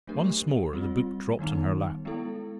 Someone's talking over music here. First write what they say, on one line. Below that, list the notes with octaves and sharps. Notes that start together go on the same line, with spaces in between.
Once more the book dropped on her lap.
F#3 A3 D4 G4 A#4
G3 C4 F4
D#3 G3 B3 D#4
G#3 B3 E4 A4